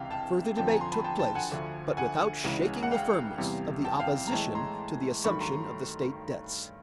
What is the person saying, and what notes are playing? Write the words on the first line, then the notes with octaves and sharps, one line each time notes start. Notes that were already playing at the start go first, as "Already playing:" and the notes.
Further debate took place, but without shaking the firmness of the opposition to the assumption of the state debts.
Already playing: C#2 C3 E3 F5 G5
G5 A5
F2 D3 F3 G5 A5
G#5 A#5
A#5 C6
A5 B5
G5 A5
G5 A5
F#5 G#5
D2 D3 F3
F#5 G#5
C#2 C#3 E3 G#3
F#5
F5 G5
E2 C3 E3 G3
G5 A5
F5 G5
A#5
A2 E3 G#3 G5 A5
A#5 C6
G2 D#3 F#3 A3 B5 C#6
A#5 C6